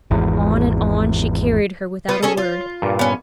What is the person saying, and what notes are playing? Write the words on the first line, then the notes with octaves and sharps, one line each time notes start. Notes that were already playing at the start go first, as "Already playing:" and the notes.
On and on she carried her without a word.
G#1 E2
B3 F4 B4
C#4 G#4 A4 C#5
F4
G2 A#2
B3 C#4